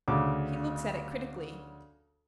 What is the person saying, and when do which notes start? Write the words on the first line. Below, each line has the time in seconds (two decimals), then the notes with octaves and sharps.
He looks at it critically.
0.08 D2 C#3 D6